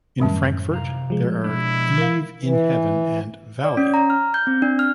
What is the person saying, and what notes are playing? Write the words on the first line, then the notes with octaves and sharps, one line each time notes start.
In Frankfurt there are “Eve in Heaven” and “Valley”.
F#2 A2 D#3 G3 C#4
C3 F5 A#5
F3 G#3
B2 D4 E4
A#4 F5
E3
D5
C#4
A#5
F6
G6
C4
D4
F6